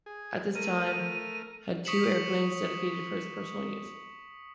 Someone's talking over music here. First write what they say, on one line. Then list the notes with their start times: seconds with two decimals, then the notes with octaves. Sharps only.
At this time had two airplanes dedicated for his personal use.
0.06 G#4
0.55 A3 A#4 F6 D#7
1.85 C#6 D#6 B6 C#7 E7 F#7